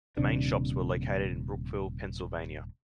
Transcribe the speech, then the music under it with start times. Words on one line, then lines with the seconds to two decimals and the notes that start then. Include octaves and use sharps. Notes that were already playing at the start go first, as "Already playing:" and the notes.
The main shops were located in Brookville, Pennsylvania.
0.17 D#1 C3 D4